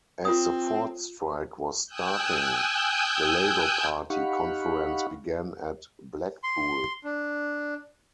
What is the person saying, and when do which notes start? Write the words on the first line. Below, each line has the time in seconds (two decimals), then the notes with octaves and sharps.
As the Ford strike was starting, the Labour Party conference began at Blackpool.
0.25 C4 F4 D#6
1.86 G5 G#5 D#6 E6 F#6 G6
4.10 D#4 G4 F5 F#5 B5 C#6
6.44 C6
7.04 D4